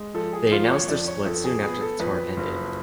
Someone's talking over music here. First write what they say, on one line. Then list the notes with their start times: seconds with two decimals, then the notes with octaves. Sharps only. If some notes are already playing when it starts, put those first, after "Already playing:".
They announced their split soon after the tour ended.
Already playing: G#3
0.14 F3 A4
0.33 G#4
0.51 F3 F4
0.70 C#5
0.88 F2 D5
1.07 C#5
1.26 F2 A4
1.44 G#4
1.63 B3 G#4
1.81 A4
2.00 F2 B4
2.37 F#1